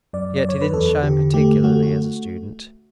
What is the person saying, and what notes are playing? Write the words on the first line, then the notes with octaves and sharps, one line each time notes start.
Yet he didn't shine particularly as a student.
F#2 D5
D5
F#2 C#5
B4
E2 A4
D3 G4
A3 G4
A3 F#4
F#4